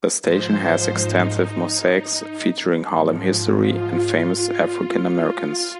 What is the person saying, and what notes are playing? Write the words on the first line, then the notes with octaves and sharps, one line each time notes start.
The station has extensive mosaics featuring Harlem history and famous African-Americans.
G#2 F3 C5
D#4
G#2 F3
F4
F4